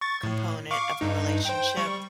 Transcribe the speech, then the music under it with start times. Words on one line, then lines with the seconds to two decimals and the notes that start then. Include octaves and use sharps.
component of a relationship,
0.01 C#6 A6
0.23 A2
0.71 F5 C#6 D6
1.01 G2 D#4
1.45 C5 G5
1.77 G3 C#6